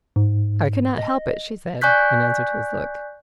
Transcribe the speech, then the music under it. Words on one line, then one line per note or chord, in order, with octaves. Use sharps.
"I could not help it," she said, in answer to his look.
G#2
D#5
D5 G#5 C#6 F#6 G6 B6